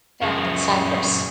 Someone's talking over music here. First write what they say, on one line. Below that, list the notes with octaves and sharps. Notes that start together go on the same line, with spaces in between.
Found in Cyprus.
C#2 F#2 G#4 C#6